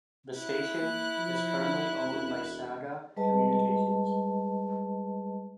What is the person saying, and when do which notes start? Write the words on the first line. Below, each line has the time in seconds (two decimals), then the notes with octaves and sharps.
The station is currently owned by Saga Communications.
0.38 E4 F#6
0.81 A#3
1.18 F3
2.04 E1
3.17 G3 G#3 G#4 B4 D#5 A5